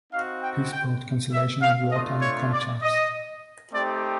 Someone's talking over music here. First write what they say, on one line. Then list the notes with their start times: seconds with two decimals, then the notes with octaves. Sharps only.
Peace brought cancellation of wartime contracts.
0.12 C4 D#4 F#4 F5
0.41 G5
0.71 G5
1.32 E5
1.61 F5
1.91 A3 D4 F4 D#5
2.22 C#5
2.52 D5
2.82 D#5
3.71 A3 C4 D#4 G4 D5